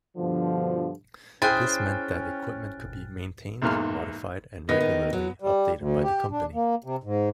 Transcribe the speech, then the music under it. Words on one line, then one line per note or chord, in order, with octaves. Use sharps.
This meant that equipment could be maintained, modified, and regularly updated by the company.
G2 B2 D3 F3
C#4 E4 G#4 C5 G5 F6 F#6 A6
B1 E2 G#2 A#3 F6
D#3 B3 D#5 A#6
D#3
F#3
G3
D2
G4
D4
A#3
C3
G#2